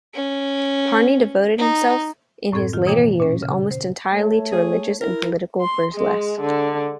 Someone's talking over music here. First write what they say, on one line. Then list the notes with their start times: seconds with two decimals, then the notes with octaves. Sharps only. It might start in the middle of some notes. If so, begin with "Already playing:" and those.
Parny devoted himself in his later years almost entirely to religious and political burlesque.
0.14 C#4
1.58 D#4
2.52 F#2 A2 C4 A4 G#6
2.73 D#3 F4
2.87 B2 E3 A#3 C#5 G5 D6
3.20 A#2 C#4
3.43 C#3
3.71 C5
4.12 A3 C#5
4.52 G#4
5.01 E4 A#4
5.61 C6
5.95 G#3
6.41 D3